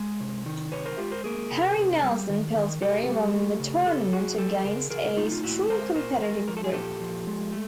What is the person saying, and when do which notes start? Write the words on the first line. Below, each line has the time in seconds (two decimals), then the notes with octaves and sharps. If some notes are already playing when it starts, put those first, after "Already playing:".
Harry Nelson Pillsbury won the tournament against a strong competitive group.
Already playing: G#3
0.20 C3
0.46 D#3
0.72 C3 B4 C#5
0.86 A#4 C5
0.98 G#3 F4 G4
1.11 A#4 C5
1.24 A#3 G#4 A#4
1.51 C3
1.77 C3
2.03 G3
2.29 D#3
2.55 D#3
2.82 C3 G4 A4
3.08 G3
3.34 A3
3.60 C#3
3.86 C#3 G4 A4
4.13 F#3 F#4 G#4
4.38 A3 G4 A4
4.64 C#3 G#4 A#4
4.90 C#3 G#4 A#4
5.17 A3 D#4 F4
5.32 F4
5.43 A#2 E4 F#4
5.69 G#3 A#4 C5
5.95 A#2 A#4 C5
6.22 G#3 G#4 A#4
6.48 F3 A#4
6.57 A4
6.64 G#4
6.73 A#2 G4 A4
7.01 F3
7.27 G#3
7.52 A3